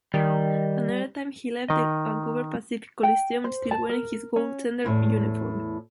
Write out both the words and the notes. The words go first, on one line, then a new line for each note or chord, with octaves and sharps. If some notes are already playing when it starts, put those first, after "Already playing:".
Another time he left the Vancouver Pacific Coliseum still wearing his goaltender uniform.
D#3 G3
D#3 D#5
G5
C5
A5
A#4
C#4
E2 A2 C3 E4